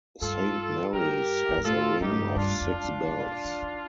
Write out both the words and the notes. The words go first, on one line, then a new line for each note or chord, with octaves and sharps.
Saint Mary's has a ring of six bells.
G2 F4 A4
G2 G4 A#4
F2
G2
A2 F4 A4
G2 D#4 G4
A2
G2
G2 D4 F4
F2
F2
G2
A#2
F3
D#3